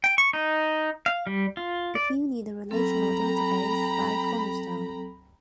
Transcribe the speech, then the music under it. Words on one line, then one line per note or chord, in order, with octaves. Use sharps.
If you need a relational database, buy Cornerstone.
G5
C#6
D#4
F5
G3
F4
D5
F#3 C4 A4 G5 A#5 B5